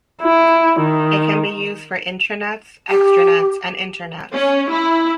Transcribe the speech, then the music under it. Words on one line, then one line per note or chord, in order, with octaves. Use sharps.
It can be used for intranets, extranets and internets.
E4
D#3
G4
C#4
E4